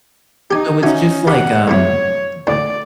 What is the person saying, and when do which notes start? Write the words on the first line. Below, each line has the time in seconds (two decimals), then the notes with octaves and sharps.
So it's just, like, um
0.51 D#4 G4 G#5
0.83 C#4 D#4 F#4 E5 G#5
1.27 G4 F5 F#5 B5
1.68 A2 C3 E4 C#5
2.47 D2 A2 D5